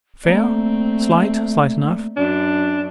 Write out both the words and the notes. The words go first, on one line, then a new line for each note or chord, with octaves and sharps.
Fair. Slight--slight enough.
A3 A#3 C4 D5
F#2 D4